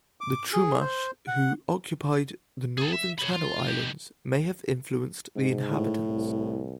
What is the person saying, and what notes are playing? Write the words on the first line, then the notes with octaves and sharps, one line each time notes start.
The Chumash, who occupied the northern Channel Islands, may have influenced the inhabitants.
D6
G#4
C5
F#5
G#4 A4
E5
C#5 B5
F4
B2 G4
G#2
A2
C2